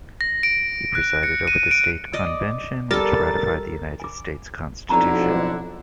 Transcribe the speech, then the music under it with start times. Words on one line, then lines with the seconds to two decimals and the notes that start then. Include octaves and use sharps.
He presided over the state convention which ratified the United States Constitution.
0.21 A#6
0.43 D7
0.95 F#6
1.23 C#7
1.47 D#7
1.71 D7
2.13 D5 D#5
2.91 G3 A4 A#4 A6
4.00 G#5 D6
4.89 B1 F2 D3 E4 A5 A#5 C#6